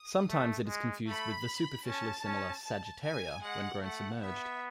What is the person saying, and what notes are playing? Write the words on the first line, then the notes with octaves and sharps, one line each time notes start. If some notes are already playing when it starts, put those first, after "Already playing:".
Sometimes it is confused with the superficially similar "Sagittaria" when grown submerged.
Already playing: D#6
A3
G#3
A3 B5
C#4 A5
C#4
A5
G#5
G#3 F#5
A3 F#5
B3 E5